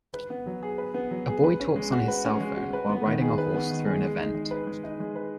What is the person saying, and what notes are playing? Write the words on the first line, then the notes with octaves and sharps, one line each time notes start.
A boy talks on his cellphone, while riding a horse through an event.
B4
B3
F#3
G#4
B4
B3
F#3
G#4
B4
C#4
G#3
F#4
B4
C#4
G#3
F#4
B4
B3
D#3
G#4
B4
B3
D#3
G#4
G#3
D#4
G#3
B4
G#3
D#4
G#3
B4